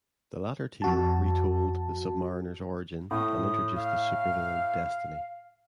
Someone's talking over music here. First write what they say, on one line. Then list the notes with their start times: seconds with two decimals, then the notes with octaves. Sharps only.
The latter tale retold the Sub-Mariner's origin and introduced the supervillain Destiny.
0.82 F2 F#4 A5
3.11 A2 D#6
3.75 F5